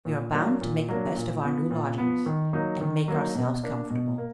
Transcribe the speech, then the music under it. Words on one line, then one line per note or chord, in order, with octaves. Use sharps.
We are bound to make the best of our new lodgings, and make ourselves comfortable.
A#2
F#3 A#3 D4
A#2
F#3 A#3 D4
A#2
F3 B3
A#2
F3 B3
D#3
F#3 A#3 D#4
D#3
F#3 A#3 D#4
B2
A#3 D4
B2
A#3